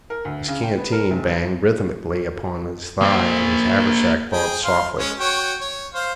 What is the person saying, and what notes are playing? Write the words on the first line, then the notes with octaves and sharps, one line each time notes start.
His canteen banged rythmically upon his thigh, and his haversack bobbed softly.
A#4
D2
C#3
G5
B3
A#4
F1
A#3 C5
G#4 G5
F5 C6
G#3 C#4
F#4 C#5 G5
C#5
C5 F5